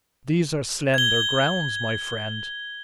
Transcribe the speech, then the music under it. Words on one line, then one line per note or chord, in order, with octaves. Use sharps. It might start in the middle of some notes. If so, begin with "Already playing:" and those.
'These are slender grounds, my friend.'
G#6 G7